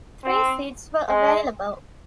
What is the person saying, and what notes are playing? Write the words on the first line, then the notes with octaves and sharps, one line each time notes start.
Three seats were available.
C4
G#3